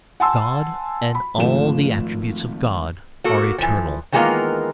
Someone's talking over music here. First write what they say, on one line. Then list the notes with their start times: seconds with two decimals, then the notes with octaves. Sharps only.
God, and all the attributes of God, are eternal.
0.20 F#5 G#5 A5 C6 E6
1.15 B5
1.38 G#1 F3 A3 E7
3.24 A#3 F#4 A4
3.58 E3 F3
4.12 D#3 E3 G#3 A#3 B3 F4